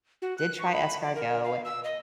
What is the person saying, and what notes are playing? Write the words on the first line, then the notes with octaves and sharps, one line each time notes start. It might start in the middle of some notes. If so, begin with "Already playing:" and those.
did try escargot,
F#4
F#6
C#6
B5
D5
A#4
F5
E6
D#5